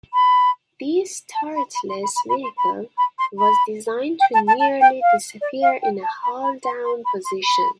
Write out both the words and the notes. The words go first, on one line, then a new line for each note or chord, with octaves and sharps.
This turretless vehicle was designed to nearly disappear in a hull-down position.
B5
A5
B5
B5
C6
B5
B5
B5
C6
B5
B5
C6
B5
G5
A5
A5
A5
G5
F5
D5
F5
G5
A5
B5
B5
C6
C6
B5
C6
B5